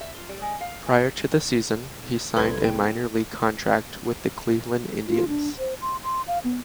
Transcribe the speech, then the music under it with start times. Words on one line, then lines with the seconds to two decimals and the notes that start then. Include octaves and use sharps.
Prior to the season, he signed a minor league contract with the Cleveland Indians.
0.01 E5
0.17 F4
0.29 G3
0.42 G#3
0.61 F5
0.86 A#2
2.37 F1 C2 A4 B4 C6 G#6
2.64 E2 G5
5.08 F4
5.28 D4
5.59 C5
5.81 C6
6.04 C6
6.27 F5
6.44 B3